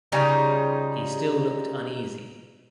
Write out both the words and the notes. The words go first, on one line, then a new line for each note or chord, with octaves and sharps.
He still looked uneasy.
C#3 G3 D#4 F4